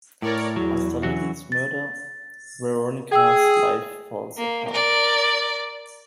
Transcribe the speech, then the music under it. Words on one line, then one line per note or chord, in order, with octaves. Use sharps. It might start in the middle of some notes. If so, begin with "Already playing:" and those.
After Lilly's murder, Veronica's life falls apart.
A2 E4 A#4 C#5 D5
E2 F#3
E3 F#3 F#4
A6
G#4 G5 E6
A#3
A#4 D5